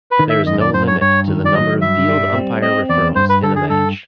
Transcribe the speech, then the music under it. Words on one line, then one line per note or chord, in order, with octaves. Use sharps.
There is no limit to the number of field umpire referrals in a match.
B4
D#3
E5
F#2 D#5
D5
F#2 C5
C#5
G2 C#5
D#3
D5
F#3 D#5
G2 E5
G3
C4
C4 D#5
E2 D5
G2 C5
B4
D3 A4
G#4
G2 A4